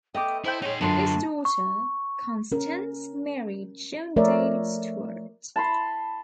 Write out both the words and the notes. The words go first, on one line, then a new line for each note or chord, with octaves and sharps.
His daughter Constance married John David Stewart.
A3 B3 D#5 G5 D6
E4 A4 C5 G5
D#4 G4 G#4 C#5 C6
F#2 D3 F#3 B3 F4 A#4 A5 C6
C#6
C#4 A#4
F3 A3 A#4 C#5 D5 E5
A5 B5 C6